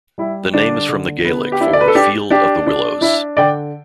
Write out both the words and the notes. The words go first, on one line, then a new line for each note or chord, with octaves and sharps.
The name is from the Gaelic for "field of the willows".
G3 E4
D3 D4
D3
B3
G4
D4 E4
D5
B4
A4
D4 G4
D4 G4
D4
D4 E4
D3 D5 G5